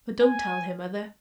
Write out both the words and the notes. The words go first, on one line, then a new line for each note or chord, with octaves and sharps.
But don't tell her, mother.
G#5